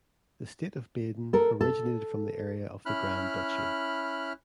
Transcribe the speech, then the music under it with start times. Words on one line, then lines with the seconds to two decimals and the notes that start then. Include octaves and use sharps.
The state of Baden originated from the area of the Grand Duchy.
1.33 A4 A#4
1.61 A4
2.86 C#4 E4 B5 F6 F#6